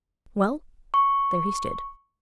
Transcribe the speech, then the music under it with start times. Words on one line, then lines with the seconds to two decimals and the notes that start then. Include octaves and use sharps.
Well, there he stood.
0.94 C#6